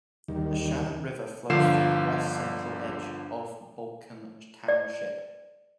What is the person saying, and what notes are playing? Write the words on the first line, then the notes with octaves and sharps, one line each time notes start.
The Shannon River flows through the west-central edge of Balkan Township.
D#2 D#3 G3
G1 D3 F3 F5 C7 E7
D5